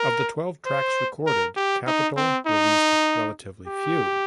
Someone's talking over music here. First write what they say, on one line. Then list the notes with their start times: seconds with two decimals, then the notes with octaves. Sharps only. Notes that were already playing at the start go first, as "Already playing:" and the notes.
Of the twelve tracks recorded, Capitol released relatively few.
Already playing: A#4
0.66 C5
1.26 A#4
1.56 G4
1.87 D#4
2.17 C4
2.46 D#4
3.67 G4